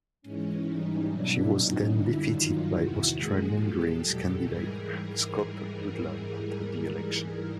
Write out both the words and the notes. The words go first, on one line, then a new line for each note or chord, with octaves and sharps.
She was then defeated by Australian Greens candidate Scott Ludlam at the election.
G#2 E3 G#3 C#4
G#2 E3 G3 C#4 D#4
B2 F#3 D4 E4
A#2 F#3 C#4 D#4
F#2 D3 G3 D4 E4
G2 D#3 F#3 D#4 F4
E2 C3 D#3 E4 F#4
A#2 F3 G#3 F#4 G#4
A#2 F3 G#3 G4 A4
E2 B2 F#3
G#2 E3 G3 G#4 A#4